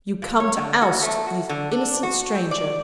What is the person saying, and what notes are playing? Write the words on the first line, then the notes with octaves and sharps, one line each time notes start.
'You come to oust the innocent stranger.
A#2
C#5
D3
F#4
A3
F#4
D3
D4
F#4
C4
D5